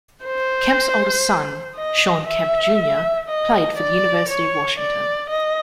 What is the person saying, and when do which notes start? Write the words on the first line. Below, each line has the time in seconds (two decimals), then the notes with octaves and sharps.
Kemp's oldest son, Shawn Kemp Junior played for the University of Washington.
0.25 C5
1.76 D#5
2.27 E5
3.28 D#5
3.77 D5
4.29 C#5
4.79 D5
5.29 D#5